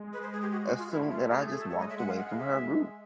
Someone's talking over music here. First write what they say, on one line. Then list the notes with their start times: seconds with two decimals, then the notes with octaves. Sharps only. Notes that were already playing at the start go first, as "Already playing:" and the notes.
assumed that I just walked away from her group
Already playing: G#3
0.13 B4
0.23 C5
0.33 G#4
0.42 G4
0.52 F#4
0.66 F#4
0.79 F4
0.91 A3 E4
1.11 F4
1.30 G4
1.40 G#4
1.50 G#4
1.60 A4
1.70 G#3 C#5
1.80 D#5
1.89 E5
1.99 F#5
2.09 F5
2.18 F#5
2.29 F5
2.38 E5